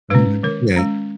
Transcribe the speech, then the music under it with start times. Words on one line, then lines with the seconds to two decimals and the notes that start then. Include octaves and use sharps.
Mhm. Yeah.
0.10 G#3 C#4 B4
0.43 D#3 A#4
0.77 G#3 C#4